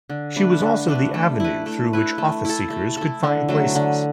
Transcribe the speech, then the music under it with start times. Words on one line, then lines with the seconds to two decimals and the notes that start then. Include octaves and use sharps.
She was also the avenue through which office-seekers could find places.
0.10 D3
0.36 A3 D4 B4
0.62 D3
0.88 A3 D4 B4
1.14 A3
1.40 E4 B4
1.66 A3
1.93 E4 B4
2.18 A3
2.45 E4 A4
2.70 A3
2.97 E4 A4
3.23 D3
3.49 F#3 A3
3.75 D3